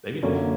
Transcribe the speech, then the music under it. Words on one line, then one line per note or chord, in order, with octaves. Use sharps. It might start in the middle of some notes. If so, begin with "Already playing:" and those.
maybe not.
F#2 D3 A#3 C#4